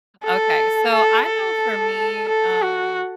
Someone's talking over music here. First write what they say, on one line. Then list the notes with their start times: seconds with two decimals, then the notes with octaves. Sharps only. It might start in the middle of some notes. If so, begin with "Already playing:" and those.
Okay, so I know for me, um,
0.24 A4
0.92 A4
1.26 A4
2.28 A4
2.62 F#4